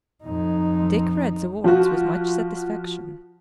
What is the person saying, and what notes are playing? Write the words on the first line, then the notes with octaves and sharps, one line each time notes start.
Dick read the words with much satisfaction.
F2 D#4
F3 F4 F#4